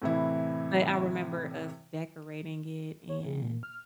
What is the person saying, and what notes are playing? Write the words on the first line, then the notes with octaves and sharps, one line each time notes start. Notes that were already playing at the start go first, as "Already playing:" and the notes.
but I remember us decorating it, and,
A2 C3 E3 E4
C#5
C#3
A#2
F6